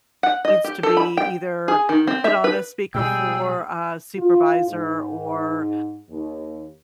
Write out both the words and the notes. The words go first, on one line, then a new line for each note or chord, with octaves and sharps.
needs to be either put on a speaker for a supervisor or
F#5
D#5
G4
A4
B5
G5
G#4
D#3
C4
E5
B4
B2 G3 G#3 G#4 G5 E6
F4
G#2
D#2